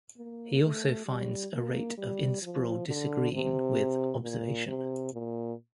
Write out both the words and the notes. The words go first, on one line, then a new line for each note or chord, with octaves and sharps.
He also finds a rate of inspiral disagreeing with observation.
A#3
A3
G3
A#3
G3
F3
D3
C3
A#2
C3
A#2